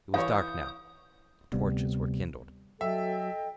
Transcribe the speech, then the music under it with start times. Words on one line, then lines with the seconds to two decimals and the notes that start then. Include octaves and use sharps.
It was dark now, and torches were kindled.
0.14 E3 C#5 F5 D#6 G6
1.52 D2 C3 G3 B3
2.81 F#3 A4 D#5 E5 G5